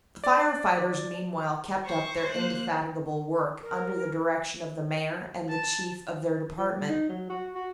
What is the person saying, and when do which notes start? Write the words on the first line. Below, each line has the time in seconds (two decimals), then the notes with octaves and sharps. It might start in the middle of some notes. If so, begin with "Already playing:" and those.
The fire-fighters meanwhile kept up their indefatigable work under the direction of the Mayor and the chief of their department.
0.24 D5
1.86 C5 C#6
2.31 A#3 F#6
3.62 A#4
5.48 A5
6.58 F3
6.74 G3
6.89 D#4
7.09 F#3
7.30 F#4
7.55 F#4